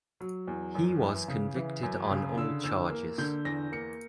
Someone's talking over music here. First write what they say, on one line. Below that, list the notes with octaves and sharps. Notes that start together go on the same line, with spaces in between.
He was convicted on all charges.
F#3
E2
F#2
E3
C#3
E3
F#2
C#3
D3 E6
E2 E6
A#3
D3 G6
E2 A#6
A#3 C#7